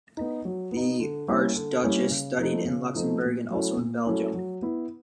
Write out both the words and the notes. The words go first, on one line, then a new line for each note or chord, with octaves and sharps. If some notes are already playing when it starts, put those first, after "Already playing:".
The archduchess studied in Luxembourg and also in Belgium.
B3 D#4
F#3
B3 D#4
D3
G3 A#3 C#4 E4
D3
G3 A#3 C#4 E4
C#3
F3 A3 C4 D#4
C#3
F3 A3 C4 D#4
A#2
F#3 A3 C#4 E4
A#2
F#3 A3 C#4 E4
F#3
B3 E4